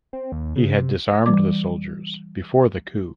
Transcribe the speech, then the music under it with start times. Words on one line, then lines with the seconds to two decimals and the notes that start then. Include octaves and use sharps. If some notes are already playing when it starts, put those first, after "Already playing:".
He had disarmed the soldiers before the coup.
0.13 C4
0.32 D#2
0.56 C#3
0.76 C3
1.26 E3 G3 D6